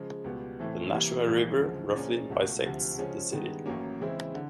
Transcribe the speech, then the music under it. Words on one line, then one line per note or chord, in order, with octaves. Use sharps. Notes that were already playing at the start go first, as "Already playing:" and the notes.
The Nashua River roughly bisects the city.
Already playing: C#3 F3 G#3
C#2 B2 G3 B3
A2 E3 A3 C4
C3 E3 G3 A#3
A#1 G#2 E3 G3
D2 C#3 F3 G#3
A#2 F3 G#3 C#4
C#2 B2 F#3 A3
D2 C3 F3
C#3 F3 G#3 C#4
G2 D#3 G#3 B3
A1 A2 F#3 A#3 C#4
C#3 E3 G#3 C4 E4
D3